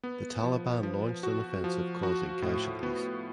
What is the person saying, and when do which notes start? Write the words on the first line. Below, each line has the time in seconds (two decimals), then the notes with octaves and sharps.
The Taliban launched an offensive causing casualties.
0.03 B3
0.44 F3
0.83 F3
1.23 F#4
1.64 F3
2.03 F#4
2.42 A2
2.83 B3